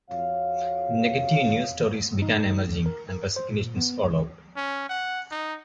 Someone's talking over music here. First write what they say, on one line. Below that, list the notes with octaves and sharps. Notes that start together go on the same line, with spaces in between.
Negative news stories began emerging and resignations followed.
F2 F#4 C#5 F5
D#4
D2
A#4
A#4
C5
A#2
B3
C#2
C#4
F#5
D#4